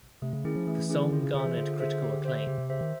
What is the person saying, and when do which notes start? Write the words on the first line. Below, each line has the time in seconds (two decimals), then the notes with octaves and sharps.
The song garnered critical acclaim.
0.22 C3 A3
0.33 C#3
0.44 D#3 C#4 E4 G#4
0.55 F3
0.67 E3 A3
0.89 C#4 E4 G#4
1.12 D#3 F4
1.23 C#3
1.34 D3 G#4 C5 E5
1.46 E3
1.57 D3 F4
1.80 G#4 C5 E5
2.02 G4
2.25 C5 E5
2.47 C#3 G4
2.58 C3
2.70 C#3 C5 E5
2.81 D#3